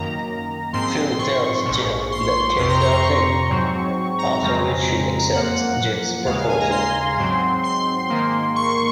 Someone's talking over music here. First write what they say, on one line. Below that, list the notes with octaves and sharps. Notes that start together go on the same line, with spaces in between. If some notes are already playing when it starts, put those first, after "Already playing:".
Phil tells Jeff that Kay loves him, after which she accepts Jeff's proposal.
Already playing: F#2 D#3 A#3 A#5
G#2 F3 C4 C6
C6
C#6
A#1 G#2 F3
C6
F2 C3 F3 C4 C6
A#5
C#6
C#6
G#2 F#3 C4
A#5
F2 C#3 F3 G#3 C4
F#2 F3 A#3 F#5
D#2 C#3 G#3 F5
F5
G#5
A#5
C6
G#2 F#3 C4
C6
G#2 D#3 A#3
C#6